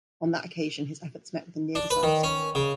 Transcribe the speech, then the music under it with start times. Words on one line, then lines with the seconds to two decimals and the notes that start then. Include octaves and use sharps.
On that occasion his efforts met with a near disaster.
1.75 D4
1.90 B4
2.03 D#3
2.23 C#4
2.55 C#3